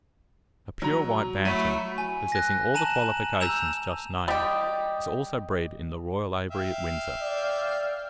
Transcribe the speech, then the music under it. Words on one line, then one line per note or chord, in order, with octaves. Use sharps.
A pure white Bantam, possessing all the qualifications just named, is also bred in the royal aviary at Windsor.
F#3 A#5
F#3 A3 E4 B5 D#7
G#5
F#6 A#6
A5 A#5 D#7 E7 F#7
A#5 E6 G6 E7 F7
G3 G4 D#5
E5 F5 G5
D5